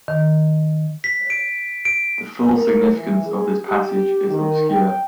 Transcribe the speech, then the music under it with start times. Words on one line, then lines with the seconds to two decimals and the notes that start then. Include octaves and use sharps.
The full significance of this passage is obscure.
0.08 D#3
1.04 B6
1.30 D7
1.85 D7
2.52 A#4
2.91 E3
3.25 G#4
3.67 G4
4.28 D#3
4.69 G5